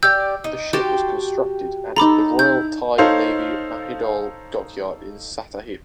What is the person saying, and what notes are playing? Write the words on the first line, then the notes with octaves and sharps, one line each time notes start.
The ship was constructed at the Royal Thai Navy Mahidol Dockyard in Sattahip.
G4 D5 E6 G6
D#4
F#4 G4 G5 A5 C6
D#4 A4 A#5 B5 D6
E4 G6
D#4 A4 C5 C#5 F5